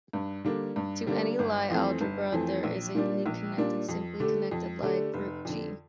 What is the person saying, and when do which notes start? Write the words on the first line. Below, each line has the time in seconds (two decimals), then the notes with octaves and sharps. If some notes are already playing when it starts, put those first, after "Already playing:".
To any Lie algebra, there is a unique connected, simply connected Lie group "G".
0.13 G2
0.44 D3 G3 A#3 D4
0.76 G2
1.07 D3 G3 A#3 D4
1.39 G1
1.70 F2 E3 A3 C4
2.01 G1
2.32 F2 E3 A3 C4
2.63 A#1
2.95 A#2 G3 D4
3.26 A#1
3.58 A#2 G3 D4
3.89 F2
4.20 D3 A3 D4 G4
4.51 F2
4.82 D3 A3 D4 G4
5.14 F1
5.45 F2 D3